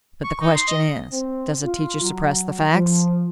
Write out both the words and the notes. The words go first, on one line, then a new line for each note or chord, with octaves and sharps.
But the question is, does a teacher suppress the facts?
C#6
D#4
C6
D#5
C4
F4
F#3
F3